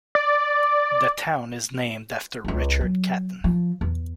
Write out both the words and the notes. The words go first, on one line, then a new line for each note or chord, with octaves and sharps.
The town is named after Richard Caton.
D5
C#2 F4
F#3
F3
E2